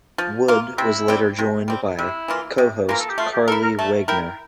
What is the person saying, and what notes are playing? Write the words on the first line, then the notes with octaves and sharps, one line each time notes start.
Wood was later joined by co-host Carley Wegner.
F3
A#3 F4
C3 E4
G3 C4
C3
G3 C4
C3 E4
E3 A#3 F4
C3
E3 A#3 F4 A#4
A4
G4
A3 F4
G4
E4 A4 A#4
A#4
A3 A5
E4 A#4 G5